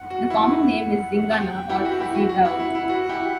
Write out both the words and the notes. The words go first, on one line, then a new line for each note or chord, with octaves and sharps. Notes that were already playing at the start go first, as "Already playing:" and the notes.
The common name is "zingana" or zebrawood.
Already playing: F#5
F#4
E4
F#5
G5
E4 G4 F#5
F#4
E4 G4
F#4
F#4
E4
E4
E4
F#4
E4 G4